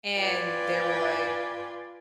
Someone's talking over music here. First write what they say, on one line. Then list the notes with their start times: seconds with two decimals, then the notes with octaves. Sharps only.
and they were, like,
0.17 F4 B4 D5 G5 G#5